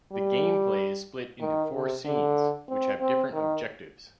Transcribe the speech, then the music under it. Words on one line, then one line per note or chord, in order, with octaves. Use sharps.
The gameplay is split into four scenes, which have different objectives.
G3
D#3
C3
D3
C4
C4
D#3